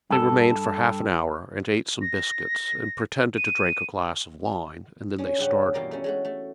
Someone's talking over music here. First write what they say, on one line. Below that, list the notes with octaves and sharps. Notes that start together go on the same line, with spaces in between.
They remained for half an hour, and ate some biscuits and pretended to drink a glass of wine, and then they started.
G2 A4
A#6
D#7
C#4 D4
G2 C#3 C#4 G4 F#5
E2 B2 A#3 G4 A#4 D5
A3 C#4
G#3 A3 F#4
A3